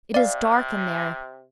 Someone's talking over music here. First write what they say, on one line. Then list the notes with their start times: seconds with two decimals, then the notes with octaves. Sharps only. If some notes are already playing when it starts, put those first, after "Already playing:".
It is dark in there.
0.14 C3 D5 F5